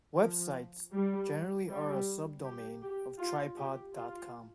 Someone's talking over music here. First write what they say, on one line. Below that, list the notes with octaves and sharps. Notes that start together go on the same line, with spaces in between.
Web sites generally are a subdomain of tripod dot com.
F3
G3
G3
G4
G4
F4
G4
F4